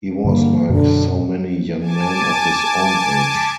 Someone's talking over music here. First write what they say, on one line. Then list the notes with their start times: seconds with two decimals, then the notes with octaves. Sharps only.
He was like so many young men of his own age.
0.24 G2 D3 G3 A#3
0.69 F#2 B2 D3 F#3
1.79 G#5 A5 D6